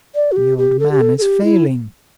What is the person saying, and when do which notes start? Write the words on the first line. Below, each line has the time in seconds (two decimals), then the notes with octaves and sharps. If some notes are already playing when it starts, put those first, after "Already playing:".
"The old man is failing."
0.15 D5
0.32 F#4
0.36 G4
0.58 G4
0.79 A4
0.91 G4
1.01 A4
1.18 A4
1.22 G4
1.44 E4